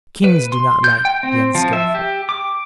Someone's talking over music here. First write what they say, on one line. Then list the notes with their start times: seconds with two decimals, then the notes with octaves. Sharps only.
Kings do not like the unskilful.
0.24 B4
0.52 C6
0.84 G6
1.05 G5
1.23 C4
1.55 F3
1.73 E5
1.95 G4
2.29 D6